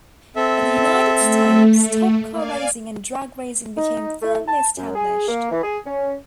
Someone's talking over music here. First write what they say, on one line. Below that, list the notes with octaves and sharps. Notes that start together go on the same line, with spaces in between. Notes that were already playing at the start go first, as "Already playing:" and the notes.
In the United States, stock car racing and drag racing became firmly established.
C4 A4 E5
A3
A#3 D5 F5 G#5
D#4
A3
A5
F#2
G#4
A#3
E3
G#4
C#4